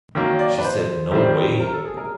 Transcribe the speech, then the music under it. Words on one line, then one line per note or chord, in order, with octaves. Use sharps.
She said No way!
D#3 F#3 A#3 C#5
D5
B4
C5
D#3 G3 C4
A#4
A4
G#4
A#4